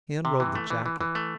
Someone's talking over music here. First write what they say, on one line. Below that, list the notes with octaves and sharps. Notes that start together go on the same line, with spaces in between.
He unrolled the jacket.
C3
E3
A3
E3
E3
E3
A3